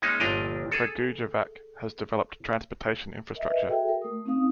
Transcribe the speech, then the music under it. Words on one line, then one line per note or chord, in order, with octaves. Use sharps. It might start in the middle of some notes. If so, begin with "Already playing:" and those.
Kragujevac has developed transportation infrastructure.
G#3 A#3 C#4 D#4
G1 A#2 F3 D4 A#4 D#5
G#4 A4
A#4 D#5 E5
B4 D#5
F#4 G#4 A4 E5 G5
A#4
A3 D#6
C4 C#4 D#4 F5 D#6